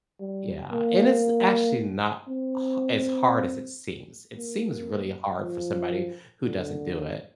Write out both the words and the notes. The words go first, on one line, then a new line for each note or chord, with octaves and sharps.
Yeah, and it's actually not h as hard as it seems, it seems really hard for somebody who doesn't do it,
G3
A#3
C4
A#3
F3
D3